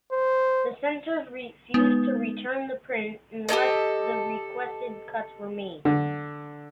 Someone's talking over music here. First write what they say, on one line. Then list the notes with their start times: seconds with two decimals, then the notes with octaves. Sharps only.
The censors refused to return the print unless the requested cuts were made.
0.12 C5
1.74 G#3 B3 D#4 B4
3.49 G4 A4 C#5 D#5
5.85 D3